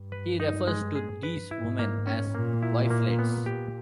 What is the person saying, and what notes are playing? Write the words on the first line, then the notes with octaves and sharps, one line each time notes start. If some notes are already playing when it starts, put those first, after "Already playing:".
He refers to these women as "wifelets".
Already playing: G2
B4
D#4
G#3
G#4
B4
G#2 E4
A#3
C#4
A#2 A#3
E4
A#3
B3
G4